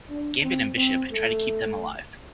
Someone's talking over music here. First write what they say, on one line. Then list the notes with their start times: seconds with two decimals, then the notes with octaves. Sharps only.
Gambit and Bishop try to keep them alive.
0.10 D4
0.43 C4
0.77 C4
1.11 A3